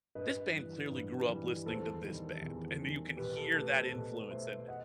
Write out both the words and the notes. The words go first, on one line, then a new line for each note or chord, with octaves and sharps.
this band clearly grew up listening to this band," and you can hear that influence in it.
G2 B4 D#5
E3 G3
G2
E3 G3
E2 A4 C5
D#3 G3
E2
D#3 G3
B2 G4 B4
A4
A3 G4 B4
A4 C5
B2 A4
A3 C5 E5
D#5 F#5